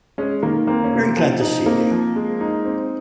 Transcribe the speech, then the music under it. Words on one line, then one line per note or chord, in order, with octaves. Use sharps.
Very glad to see you.
G#3 C#4
D#3 A#3
A#3 C4
C#4
C3
C4
F3
D#4
A#3 C4
F3
G#3
D#4
C4